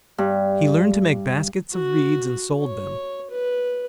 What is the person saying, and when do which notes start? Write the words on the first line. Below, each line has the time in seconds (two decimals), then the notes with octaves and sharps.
He learned to make baskets of reeds and sold them.
0.18 G2
1.72 F#4
2.61 C#5
3.31 B4